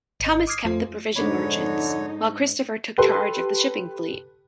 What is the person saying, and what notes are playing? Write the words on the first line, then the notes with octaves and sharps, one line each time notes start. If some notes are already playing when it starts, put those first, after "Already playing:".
Thomas kept the provision merchants, while Christopher took charge of the shipping fleet.
G#1 D#5
D6 D#6 F6 G#6 C7
F2 A3 F4 C5
F2 G#2 D3 G#3 D4 D#4 C#5 B5
G4 A4 B4 C6